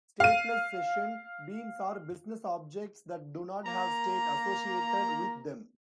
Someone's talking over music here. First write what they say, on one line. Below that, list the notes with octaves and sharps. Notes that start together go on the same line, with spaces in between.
Stateless Session Beans are business objects that do not have state associated with them.
F5 D#7
A#3 A#5